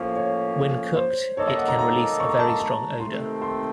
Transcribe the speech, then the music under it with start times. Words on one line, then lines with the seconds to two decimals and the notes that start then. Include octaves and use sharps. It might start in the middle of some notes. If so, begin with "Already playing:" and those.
When cooked, it can release a very strong odor.
Already playing: A2 F3 A#3 C#4 C5
0.16 C#5
0.97 C5
1.37 D#3 A#3 D#4 A4 C#5
1.48 D#5
1.58 F#5
1.68 A#5
1.79 A#5
2.20 C#6
2.29 A#5
2.39 A5
2.49 A5
2.60 A#5
3.00 C3 D#3 A3 C4 C6
3.42 C6